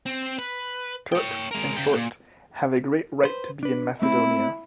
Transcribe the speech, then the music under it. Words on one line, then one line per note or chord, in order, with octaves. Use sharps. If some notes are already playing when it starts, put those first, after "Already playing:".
Turks, in short, have a great right to be in Macedonia.
C4
B4
C#5 G5
G#3 A#4
C#3 G5
A#2
B4 C5
D4 B4
A3 C4 E4